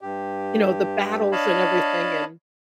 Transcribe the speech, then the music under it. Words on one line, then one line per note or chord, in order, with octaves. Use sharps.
you know, the battles and everything and
G2 G4
D4 C#5 D#5 F5 A5 B5